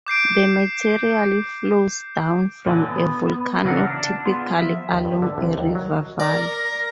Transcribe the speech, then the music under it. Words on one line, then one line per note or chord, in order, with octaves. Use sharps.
The material flows down from a volcano, typically along a river valley.
D6 G6 C7 D7
A#2 D3 E3 F#3
B3
C#3 E3 F#3 D4 A#4 F#5
D4
B3 F4 G#4
F3 E5
D#2
G2
D3
C2
D#2
F#3
A#4 D5 A#6